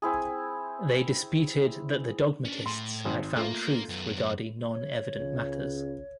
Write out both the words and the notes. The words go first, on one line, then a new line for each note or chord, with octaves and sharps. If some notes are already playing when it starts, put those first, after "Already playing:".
They disputed that the dogmatists had found truth regarding non-evident matters.
C4 E4 G#4
C#4 D4
A2 C6
G#1 G#2
A3 A#3 F4
F#2 B3
C#5
C#2 C#3